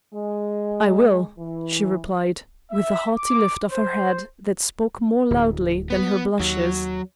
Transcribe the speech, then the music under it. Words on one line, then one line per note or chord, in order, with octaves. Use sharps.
"I will," she replied, with a haughty lift of her head that spoke more loudly than her blushes.
G#3
E3
E5
D6
C5
D1 D2
B3
D#2 F#3